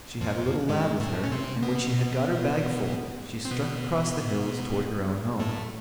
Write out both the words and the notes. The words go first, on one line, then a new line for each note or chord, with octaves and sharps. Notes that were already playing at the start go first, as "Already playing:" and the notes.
She had a little lad with her, and when she had got her bag full, she struck across the hills towards her own home.
F2 F3
G#2 G#3
A2 A3
C#4
C3 C4
B2 B3
C4
B2 B3
A2 A3